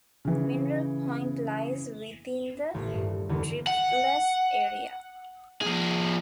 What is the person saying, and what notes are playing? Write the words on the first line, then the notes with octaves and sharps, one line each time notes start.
Mineral Point lies within the Driftless Area.
C#3 E3
D#1 A1
G2
E2 D3 D#3 B3 C4
F#5
F3 G#4